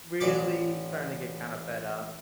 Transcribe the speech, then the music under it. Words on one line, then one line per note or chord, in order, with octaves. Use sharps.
really starting to get kinda fed up,
A1 D5 D6